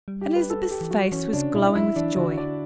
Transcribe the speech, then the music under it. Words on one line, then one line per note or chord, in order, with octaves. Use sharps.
Elizabeth's face was glowing with joy.
G3
G4
B4
A4
G4
E3
F#3 F#4
E3 C#4
C#3 D4
B2 E4
F#3 E4
E3 D4
D3 F#4
D5